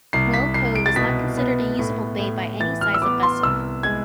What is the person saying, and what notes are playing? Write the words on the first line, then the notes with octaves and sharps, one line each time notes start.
Whale Cove is not considered a usable bay by any size of vessel.
C2 C7
B6
C2 C7
D7
A6
B2 B6
B3
A2
A2
E3 A6
F6
E6
B3 D6
C6
C2 E6
G#3 G#6